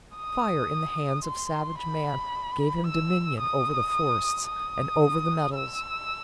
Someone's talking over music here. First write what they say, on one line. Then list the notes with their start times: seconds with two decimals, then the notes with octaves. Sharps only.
Fire in the hands of savage man gave him dominion over the forests and over the metals.
0.17 D#6
1.25 C6
1.79 B5
2.87 E6
3.40 D#6
4.48 D#6
5.55 E6